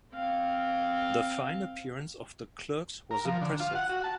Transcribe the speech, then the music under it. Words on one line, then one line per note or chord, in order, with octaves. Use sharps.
The fine appearance of the clerks was impressive.
C4 F5
A#4
F3
D3
F4
F#5
F#4
A5